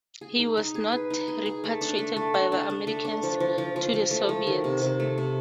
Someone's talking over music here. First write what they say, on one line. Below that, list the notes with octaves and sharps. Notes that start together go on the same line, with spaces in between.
He was not repatriated by the Americans to the Soviets.
G#4
D#4
D#4
G#4
B4
D#4
G#4
G#4
A3
D4
A3
A3
D4
D4
D4
A3
D4
F3
F3
F3
F3
F3
A3
F3
D#3
C3
C3
A3
C3